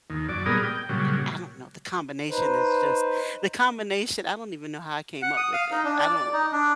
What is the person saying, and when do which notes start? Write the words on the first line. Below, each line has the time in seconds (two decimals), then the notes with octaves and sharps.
eh, I don't know, the combination is just the combination. I don't even know how I came up with it. I don't
0.10 D#2
0.29 F#2 D5
0.46 A#2 G3 B3 G#4 A#4 D#6
0.64 G5
0.89 A#2 C#3 F#3 G3
2.30 D#4 B4 C5
5.22 F#5
5.37 D#6
5.53 F5
5.72 D#4
5.85 D4
5.98 D5
6.16 D5
6.33 D#4
6.52 D4